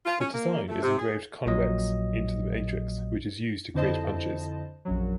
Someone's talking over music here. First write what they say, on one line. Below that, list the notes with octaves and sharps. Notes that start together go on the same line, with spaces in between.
The design is engraved convex into the matrix, which is used to create punches.
F4
C#4
A#3
A3
C3
G#4
A#1 A#2 F#3 D#5
F2 D3 E4 C5 D#5 A5
A#1 F#2 F#3